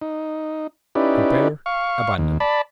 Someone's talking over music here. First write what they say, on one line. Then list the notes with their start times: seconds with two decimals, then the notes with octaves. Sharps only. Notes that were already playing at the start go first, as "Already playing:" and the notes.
Compare ABANDON.
0.02 D#4
0.95 C#4 D#4 E4 G4 B4 D5
1.66 F5 C#6
2.18 D#2
2.40 D5 A5 B5